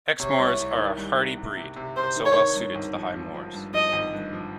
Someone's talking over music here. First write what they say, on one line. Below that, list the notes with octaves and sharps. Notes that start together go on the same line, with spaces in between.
Exmoors are a hardy breed, so well suited to the high moors.
C3 C#5
C2
C2
D#3
G3
C2
C3
C3
C3
C3 C5
D#3
C#5
D#3
G2
G#1
F3
F3
F3
G2
F3 D#5
G#1
G2
F3